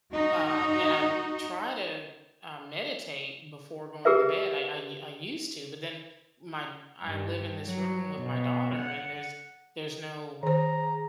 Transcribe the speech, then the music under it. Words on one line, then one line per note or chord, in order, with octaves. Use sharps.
Uh, and I wou try to, um, meditate before going to bed. I I u I used to, but, then, my I live in this room with my daughter and there's there's no
D#4 F#4
G4 G#4 A#4 B4 E5
G2
F#3
B2
F#5
D#3 G#4 C5 A#5